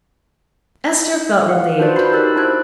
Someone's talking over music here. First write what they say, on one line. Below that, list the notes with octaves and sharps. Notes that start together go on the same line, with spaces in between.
Esther felt relieved.
F5 F#5
D4 F4 F#4 B4 C5 D5
D#4 F#4 B5 G6 C7
G4 A#4 E6 F#6 A6
D4 E4 F#4 C5 F#6 G#6